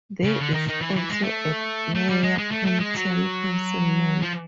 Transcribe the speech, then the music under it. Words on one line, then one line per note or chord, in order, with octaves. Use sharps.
There is also a mayor pro tem councilmember.
C#3
D3
D#3
D#3
E3
E3
G#3
A3
A3
G3
G#3
G#3
A3
A3
G#3
F#3
F3